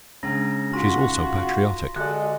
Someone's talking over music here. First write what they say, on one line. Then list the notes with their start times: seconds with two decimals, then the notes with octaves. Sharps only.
She is also patriotic.
0.23 C#3 G#3 D4 A#5 A#6
0.73 D#4 F4 F#4 C6 C#6 B6
1.96 D3 G#3 F#4 A4 D5 F#6